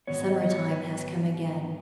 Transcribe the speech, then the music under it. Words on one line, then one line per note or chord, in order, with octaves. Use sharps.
Summer-time has come again.
G#2 D#3 F#3 B3 C#5
D#5
C#5
B4